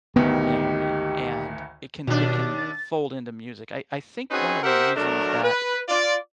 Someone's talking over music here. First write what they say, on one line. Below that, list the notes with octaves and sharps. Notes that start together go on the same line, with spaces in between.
memory, and it can it can fold into music. I I think one of the reasons that
G#1 D2 D#3 B3 D#4 G4
D#2 B2 D4
A6
C4 C#4 D#4 F#4 G#4 B4
C4 G4 A#4 C5 E5 F#5
B2 F#3 A3 D4 A#4
B4
F4 D5